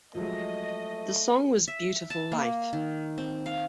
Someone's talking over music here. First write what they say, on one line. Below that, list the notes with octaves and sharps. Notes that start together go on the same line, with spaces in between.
The song was "Beautiful Life".
F3 F#3 G#3 A3 D#5
E5
A5
A#3
D#3
C4
F5